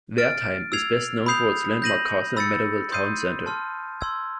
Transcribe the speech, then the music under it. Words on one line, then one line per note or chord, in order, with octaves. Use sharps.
Wertheim is best known for its landmark castle and medieval town centre.
F6 A6 D7
E6 G#6 C7 F7
B5 D#6 G6 C7 F7
G6 A#6 D#7 F#7
B5 E6 A6 C#7
C6 D#6 G6 C7 D#7
A5 C6 F6
C6 E6 G#6